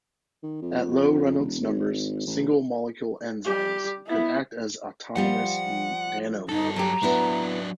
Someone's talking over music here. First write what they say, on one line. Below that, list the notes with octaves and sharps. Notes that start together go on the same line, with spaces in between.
At low Reynold's numbers, single molecule enzymes could act as autonomous nanomotors.
D#3
F2
E1
G#1
A1
G3 G4
B3 E4
F3 G3 F4 F#5
G2 D#4 A4
F#3 G4 A#5
F#3 B3 D4 E4